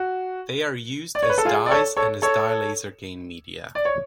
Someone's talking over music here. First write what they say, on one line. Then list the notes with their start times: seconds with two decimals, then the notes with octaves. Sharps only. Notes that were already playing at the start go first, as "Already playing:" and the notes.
They are used as dyes and as dye laser gain media.
Already playing: F#4
1.15 D5
1.23 C#5
1.30 B4
1.38 A4
1.45 F4 G#4
1.66 D5
1.71 A4 C#5
1.97 A4 C#5
2.22 A4 C#5
3.75 D5
3.85 C#5